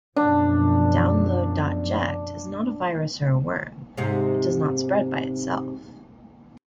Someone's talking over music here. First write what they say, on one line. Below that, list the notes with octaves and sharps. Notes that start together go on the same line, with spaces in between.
Download.ject is not a virus or a worm; it does not spread by itself.
F#2 B2 F3 D4
G#2 C3